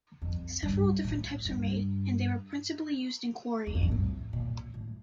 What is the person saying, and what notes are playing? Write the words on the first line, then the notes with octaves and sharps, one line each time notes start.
Several different types were made, and they were principally used in quarrying.
F2
G2
A2
G2
E2
F2
G2
A2
A#2
A2